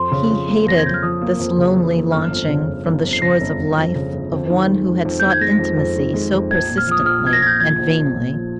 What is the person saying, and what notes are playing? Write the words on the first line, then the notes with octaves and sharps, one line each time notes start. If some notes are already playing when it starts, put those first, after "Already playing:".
He hated this lonely launching from the shores of life of one who had sought intimacy so persistently and vainly.
Already playing: F2 C6
C#3
F3
A#3
F2 A#6
G#6
C#3 G6
F6
F3 D#6
A#3
F2
C#3
F3
A#3
G1 F6
F2
C#3
G1
G1
F2
C7
C#3 A#6
G1
G1
F2
C#3
G1
F2
D#3
G#3
F2
F2
D#3 G6
G#6
G#3 A#6
F2
F2
D#3
G#3
F2
A#1 G#6
A#2
F6
F3 D#6
A#1 F6
A#1 G#6
A#6
A#2 G6 G#6
F3 G#6
A#1
A#1
A#2
F3